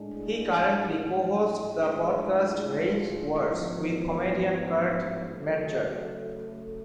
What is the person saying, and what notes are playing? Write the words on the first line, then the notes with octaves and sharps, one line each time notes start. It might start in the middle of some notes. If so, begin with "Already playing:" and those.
He currently co-hosts the podcast "Race Wars" with comedian Kurt Metzger.
Already playing: A2 G#3 D4 G#4
A2 G#3 D4 F4 G#4
A1 G#2 F3 B3
C#3 F#3 A3